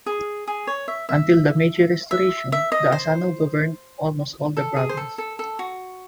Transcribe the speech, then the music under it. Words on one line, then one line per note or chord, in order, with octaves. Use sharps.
Until the Meiji Restoration, the Asano governed almost all the province.
G#4
G#4
C#5
E5
E5
E5
E5
D#5
C5
A4
G#4
C5
A4
A4
A4
F#4